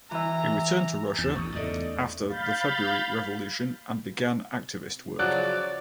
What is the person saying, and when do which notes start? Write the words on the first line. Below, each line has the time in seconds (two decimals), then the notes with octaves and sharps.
He returned to Russia after the February Revolution and began activist work.
0.11 E3 E5 A#5
1.18 E2 G6 A6 E7
1.36 A1 D2 C#6 D#6
1.55 E2 G#2 C#3 A3 D4 D#4
2.28 F5 B5 G6 A6
5.19 C#3 F3 F#3 D5 F#6